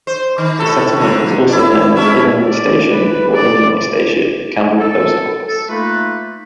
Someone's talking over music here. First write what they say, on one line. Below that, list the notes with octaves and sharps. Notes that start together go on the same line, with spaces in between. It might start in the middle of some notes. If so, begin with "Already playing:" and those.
The settlement was also known as Illinois Station or Illinois Station, Campbell Post Office.
C5
D#3
A2 A4
D3 F3
E4 D5
G#3 C#4 E4
D5
B4
D5
A4
A4
A3 A#3 D#4 F4 B4